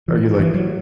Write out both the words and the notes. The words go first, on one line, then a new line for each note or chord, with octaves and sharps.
Are you like
E3
E3
F#3